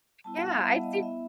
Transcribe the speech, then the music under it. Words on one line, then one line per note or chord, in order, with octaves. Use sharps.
Yeah. I've seen
G3 B3 E4 A5
F#5
F5
G3 B3 E4 E5
D#5
B3 E4 E5